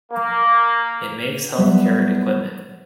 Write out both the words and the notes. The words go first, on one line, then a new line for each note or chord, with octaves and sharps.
It makes health care equipment.
A#3
F#3 G3 B3 D5 E5